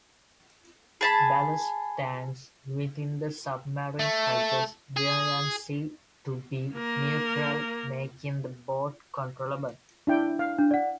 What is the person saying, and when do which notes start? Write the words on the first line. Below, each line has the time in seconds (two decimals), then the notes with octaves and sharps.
Ballast tanks within the submarine adjust buoyancy to be neutral, making the boat controllable.
1.01 G#4 A5 B5
3.99 A3
4.97 G#4
6.74 A#3 A#4
10.07 D4 E4 G5
10.39 F5
10.59 D4
10.71 D5 F#5